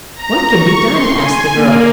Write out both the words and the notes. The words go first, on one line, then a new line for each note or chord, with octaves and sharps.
"What can be done?" asked the girl.
A#5
C#6
C6
G#5
A#3